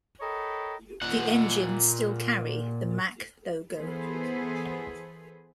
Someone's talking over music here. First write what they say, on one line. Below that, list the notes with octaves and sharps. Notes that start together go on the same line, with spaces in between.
The engines still carry the MaK logo.
A4 A#4 C#5 D#5 G5 B5
A#2 F#5
E3 B3 G#4 A4 B4 C5